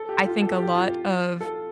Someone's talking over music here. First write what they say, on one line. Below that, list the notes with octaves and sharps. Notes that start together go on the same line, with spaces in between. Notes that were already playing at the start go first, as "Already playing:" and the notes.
I think a lot of
Already playing: A4
G4
F4
A4
G4
F4
A4